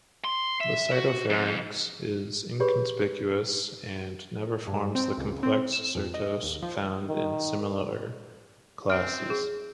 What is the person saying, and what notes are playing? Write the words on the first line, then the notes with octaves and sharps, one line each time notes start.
The cytopharynx is inconspicuous and never forms the complex cyrtos found in similar classes.
C6
E5
F#4
F2
G4 G#4 B4 C#5 B5
G2
C4
C#2
C4
E7
F2
D#5
D#2
F3
D#3
C4 F6 D7
G#4